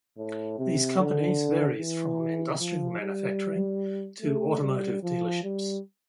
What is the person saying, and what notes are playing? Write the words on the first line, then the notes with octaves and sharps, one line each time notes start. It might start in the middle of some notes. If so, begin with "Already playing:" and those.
These companies varies from industrial manufacturing to automotive dealerships.
A2
C3
D3
E3
F3
G3
A3
G3
F3
G3